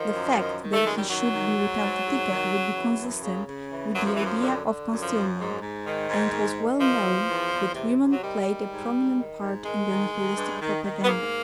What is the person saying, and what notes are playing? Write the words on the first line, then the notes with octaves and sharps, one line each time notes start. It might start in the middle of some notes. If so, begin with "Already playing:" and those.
The fact that he should be without a ticket would be consistent with the idea of concealment, and it was well known that women played a prominent part in the Nihilistic propaganda.
Already playing: D#3 F3
F#2
D#3
D#3
A3
F#2 G#3
G3
D#3 F#3
D#3
G#2
G#2
G#2
D#3
C#3
E3
F#2
C#3
C#3
E3
F#2 F#3
F3
F#2 E3
F3
D3
D3
F#2
F3
F#2
G#2
G#2
D#3
G#2
D#3
D#3
E2 F3
E2
E2
E2
C3
C3
F#3
D#3 G3
D#3
G#2
G#2
D#3
G#2
D#3 G#3
D#3
D#3
G2
D#3
D#3
B3
G#2 A#3